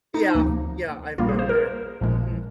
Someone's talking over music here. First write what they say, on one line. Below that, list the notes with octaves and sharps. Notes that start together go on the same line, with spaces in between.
Yeah, yeah, I've been there. Mhm.
D#4
D2 C3 F3 A#3
A#1 A#2 G3 A#3 F4
G#4
C5
A#4
A#1 A#2 F3 G#3